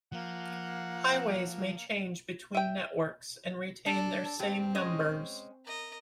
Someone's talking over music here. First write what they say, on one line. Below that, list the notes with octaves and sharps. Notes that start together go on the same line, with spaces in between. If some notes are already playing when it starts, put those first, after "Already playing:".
Highways may change between networks and retain their same numbers.
F3 A#3 F#5
E5 G5
D4 A4
G2 C4 G4
G#3 C#4 D#5
A#4 D#5